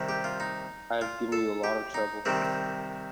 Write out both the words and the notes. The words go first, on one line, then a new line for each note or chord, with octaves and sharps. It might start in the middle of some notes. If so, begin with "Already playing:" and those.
I've given you a lot of trouble.
Already playing: C2 C3 D#3
G4
F4
D#4
F4
A4
G4
D#4
C2 C3 D#3 C4